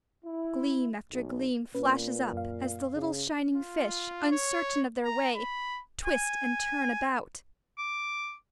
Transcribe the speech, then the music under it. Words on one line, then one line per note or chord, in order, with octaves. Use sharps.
Gleam after gleam flashes up as the little shining fish, uncertain of their way, twist and turn about.
E4
B1
A#2 C#4 B4
F#2 F5
C#3
F4
C#5
A#5
B5
G#5
D6